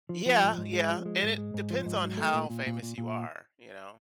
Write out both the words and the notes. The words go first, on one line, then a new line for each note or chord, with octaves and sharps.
Yeah, yeah, and it depends on how famous you are, you know?
F3
F3
G#2
G#2
G#3
F3
G#3
G#2
G#3
G#2
F3
G#2
F#3
A3
A#2
A#2
A#2
A#2
A#2